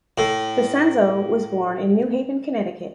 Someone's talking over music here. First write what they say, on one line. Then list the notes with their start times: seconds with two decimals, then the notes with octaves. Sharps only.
DiCenzo was born in New Haven, Connecticut.
0.18 A2